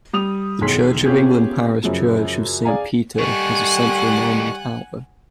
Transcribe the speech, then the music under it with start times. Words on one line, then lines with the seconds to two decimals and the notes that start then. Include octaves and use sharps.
The Church of England parish church of Saint Peter has a central Norman tower.
0.13 G3 D#6 F7
0.61 B1 E2 D#3 G#4 C6 B6
1.05 B3 C#4 F4 G4 G#4
1.82 F#2 C#3 F3
2.65 G#4 D5 F5 G#5 A#5
3.19 D#3 G3 A3 F#5 G#5 C#6 F#6